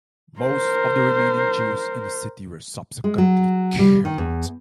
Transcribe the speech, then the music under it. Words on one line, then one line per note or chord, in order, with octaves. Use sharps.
Most of the remaining Jews in the city were subsequently killed.
A#4 C5
G#3
F#3
G3
D#3
E2